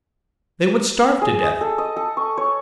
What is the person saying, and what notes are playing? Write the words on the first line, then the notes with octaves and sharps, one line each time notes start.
They would starve to death.
G#4
D#5
A4
D#5
A4
C#6
C#5